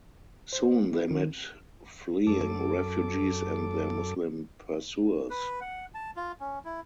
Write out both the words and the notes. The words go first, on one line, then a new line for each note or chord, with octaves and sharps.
Soon they met fleeing refugees and their Muslim pursuers.
C5
E4
D#3
F#2 A4 D6
B4
F#5
A5
F4
C#4
E4